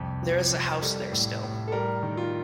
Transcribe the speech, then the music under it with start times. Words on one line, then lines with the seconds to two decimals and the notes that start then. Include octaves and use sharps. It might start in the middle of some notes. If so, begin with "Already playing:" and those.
There is a house there still.
Already playing: C2 F2 G4
0.22 F3
0.52 F2
0.82 G3 A4
1.12 A2
1.42 A2
1.68 A4
1.72 G3 A#4
2.03 D#3
2.17 F4